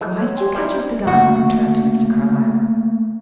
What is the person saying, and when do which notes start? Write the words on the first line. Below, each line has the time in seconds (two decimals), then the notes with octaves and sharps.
"Why did you catch up the gun?" interrupted Mr. Carlyle.
0.01 E3 G#3 A3
0.18 C#5 G#6
0.37 D5 G5 G#5 C6
0.55 G3 C4 E4
1.07 A3 A#3 F#4